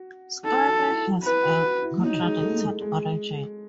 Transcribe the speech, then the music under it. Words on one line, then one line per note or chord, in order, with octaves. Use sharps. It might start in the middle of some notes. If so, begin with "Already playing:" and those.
Scrappy has a contradicted origin.
Already playing: F#4
D#4 A4
F#4
E4
F#4
E4 B4
F#4
F#4
E4
F#3 D#4
G#3
A3
G#3
G#3